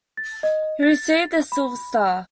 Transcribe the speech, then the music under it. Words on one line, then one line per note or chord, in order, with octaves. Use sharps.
He received the Silver Star.
A6
D#5
A6
B5